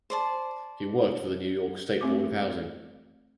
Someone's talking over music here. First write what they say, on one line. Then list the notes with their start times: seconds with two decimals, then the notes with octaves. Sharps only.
He worked for the New York State Board of Housing.
0.10 C5 D5 A5
2.01 A3 C4 D6